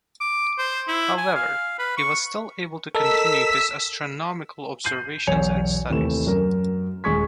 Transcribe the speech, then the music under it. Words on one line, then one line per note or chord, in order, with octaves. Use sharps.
However he was still able to continue his astronomical observations and studies.
D6
C5
E4
G#5
F5
B4
C#6
A4 A#4 D#5 E6 B6
G6 C7 D#7 F#7
B1 E2 C#5 G#5 C#7 F7
D#2 C3 E3 A3 E7
F#2 A#4
D#1 G#3 G#4 C#6 G#6 B6